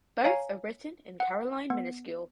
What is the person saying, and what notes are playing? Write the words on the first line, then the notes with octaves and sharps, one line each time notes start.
Both are written in Caroline minuscule.
C#5 F5 G#5 A#5
F#5
B3